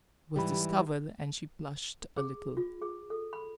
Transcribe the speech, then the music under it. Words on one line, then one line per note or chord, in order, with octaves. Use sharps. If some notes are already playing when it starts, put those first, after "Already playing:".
She was discovered, and she blushed a little.
G#2 E3 G3 G4 B5
G#4
F4
G#4
A4
B5